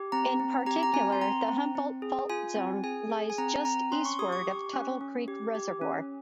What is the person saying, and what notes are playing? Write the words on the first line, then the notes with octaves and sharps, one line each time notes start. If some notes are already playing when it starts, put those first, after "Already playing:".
In particular, the Humboldt Fault Zone lies just eastward of Tuttle Creek Reservoir.
Already playing: G4
C4 A#5
C4
G4 A#5
A#5
C4 G#5
C6
C4 A#5
C4
C4
G#4
F4 G#5
C4
G#4 G#5
G#4
G#5
C4 A#5
C4 A#5
C#4 C6
C#6
G4 D#6
C#6
G4
C#4
C#4
G4
G4
C#4